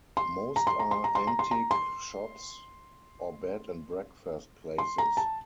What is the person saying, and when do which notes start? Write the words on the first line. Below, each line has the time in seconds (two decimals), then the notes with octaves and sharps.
Most are antique shops or bed and breakfast places.
0.17 C6
0.56 A#5
0.67 C6
0.79 A#5
0.91 C6
1.04 A#5
1.15 C6
1.27 A#5
1.39 C6
1.51 A#5
1.71 C6
4.78 C6
4.98 A#5
5.17 A5